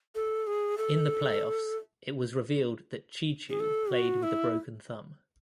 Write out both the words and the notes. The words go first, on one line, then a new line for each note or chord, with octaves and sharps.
In the playoffs, it was revealed that Cheechoo played with a broken thumb.
A4
G#4
A4
G#4
A4
F#4
E4